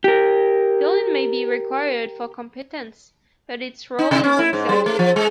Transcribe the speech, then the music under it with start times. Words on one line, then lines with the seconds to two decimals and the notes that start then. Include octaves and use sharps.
Pilin may be required for competence, but its role is uncertain.
0.04 G4 A#4
3.99 D#4
4.11 C3
4.24 C#4
4.39 E4
4.53 G#2
4.69 G3
4.86 A3
4.99 F3
5.16 G#3